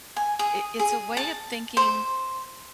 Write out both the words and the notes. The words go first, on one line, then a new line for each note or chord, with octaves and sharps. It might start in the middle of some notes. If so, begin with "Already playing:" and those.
It it's a way of thinking
G#5
G#4
G#4
A5
C5